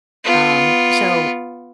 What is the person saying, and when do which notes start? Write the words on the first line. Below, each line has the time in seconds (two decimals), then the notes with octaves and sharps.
Um, so,
0.25 B3 F4